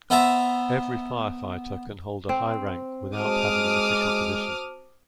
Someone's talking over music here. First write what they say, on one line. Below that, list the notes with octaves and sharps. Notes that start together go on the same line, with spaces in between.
Every firefighter can hold a high rank without having an official position.
B3 C5 E5 A5 A#5
C4
G#3 F#4 C5 A5 D6 D#6 F6